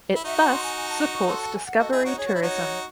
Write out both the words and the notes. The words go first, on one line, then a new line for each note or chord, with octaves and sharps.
It thus supports discovery tourism.
E4
D#4 F#4 E5
F#5
C6
G#5
G#5
A5
C#6
C#6
F#4 A4 C6
A5
G#5
F#5
F#4 A4 D#5
E4 G#4 D#5
D#4 F#4 C#5
G#4 C#5
F#4
E4
D#4 F#4